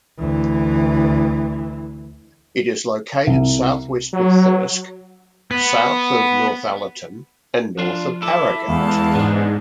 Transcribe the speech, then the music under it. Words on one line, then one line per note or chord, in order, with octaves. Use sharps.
It is located south-west of Thirsk, south of Northallerton and north of Harrogate.
D2 E3
C2
F#3
B3
F3 D4 F4
E4 A4 E5 D6
E2 G#3 F5 A5
G#2 B3 D4